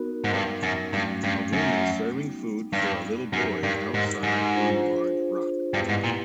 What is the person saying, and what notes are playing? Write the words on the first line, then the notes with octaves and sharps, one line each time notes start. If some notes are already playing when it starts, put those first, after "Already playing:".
A woman serving food for a little boy outside on a large rock.
Already playing: B3 D#4 F#4 A#4
G#2
G2
F#2
G2 F#3 A3 C#4 F#4
G2
F#2
G3 B3 D#4
G2
F#2 D#4 G4 A#4
G2
G#2
G#2
D4 F4 G#4 C5
G2 B3 E4 G4 B4 D5
G#2
A#2